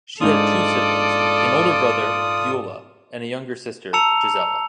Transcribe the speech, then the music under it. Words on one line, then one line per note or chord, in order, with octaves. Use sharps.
She had two siblings - an older brother, Gyula and a younger sister, Gizella.
G#2 D4 F4 A4 D5 D#6
A5 A#5 E6 C#7 F7